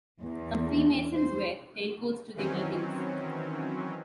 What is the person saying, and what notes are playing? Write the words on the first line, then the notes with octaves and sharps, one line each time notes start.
Some Freemasons wear tailcoats to their meetings.
E2
C5
D#3 E3 F#3 C4 C#4